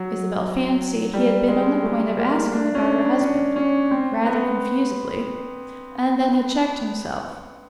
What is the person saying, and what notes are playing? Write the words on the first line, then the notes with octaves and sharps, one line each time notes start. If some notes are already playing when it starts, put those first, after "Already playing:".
Isabel fancied he had been on the point of asking about her husband--rather confusedly--and then had checked himself.
Already playing: F#3
G3
G#3
A3
A#3
D4
C#4
D4
C#4
C#4
C4
B3